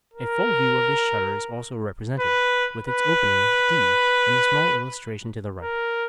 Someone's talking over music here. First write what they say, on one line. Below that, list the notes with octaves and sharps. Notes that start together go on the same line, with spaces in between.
A full view of this shutter is also represented, with its opening, D, in the small illustration to the right.
A#4
B4
B4
A#4